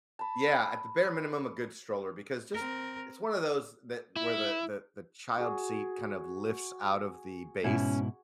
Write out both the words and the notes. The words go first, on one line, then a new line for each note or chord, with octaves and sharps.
Yeah, at the bare minimum, a good stroller, because just it's one of those that, where the the the child seat kind of lifts out of the base.
A5 B5
C4 A#4
E4
F#4 G#4
G#2 B2 C#4 E4